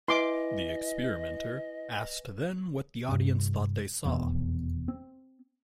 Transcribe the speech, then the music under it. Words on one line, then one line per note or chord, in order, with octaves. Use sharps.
The experimenter asked then what the audience thought they saw.
E4 B4 D#5 G#5 C6 D6
G2 C3
F1 E2 B2 C4
C4